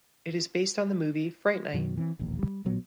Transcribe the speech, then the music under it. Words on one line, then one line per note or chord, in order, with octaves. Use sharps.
It is based on the movie "Fright Night".
F#2 B2 D#3 F#3
E3 C4
E1 A#1 D#2
G3
A1 A#2 F#3 B3